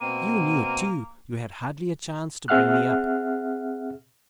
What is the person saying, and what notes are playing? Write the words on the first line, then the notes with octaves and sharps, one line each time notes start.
You knew, too, you had hardly a chance to bring me up.
B2 A#3 C4 D#7
C4 G#4 E5 F#5 F6 F#6